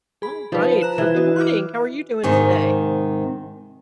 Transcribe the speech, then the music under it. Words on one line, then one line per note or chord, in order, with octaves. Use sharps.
Alright, so good morning, how are you doing today?
G#4 B5
F3 D#4 B4
A#5 F#6 E7
E3
F#4 D#5
D6 F6 F#6
G#2 C3 D#3